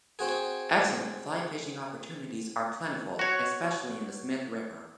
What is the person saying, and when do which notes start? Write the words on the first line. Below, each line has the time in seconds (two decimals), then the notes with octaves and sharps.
Excellent fly fishing opportunities are plentiful, especially in the Smith River.
0.19 C4 F#4 G#4
3.19 F#4 C#5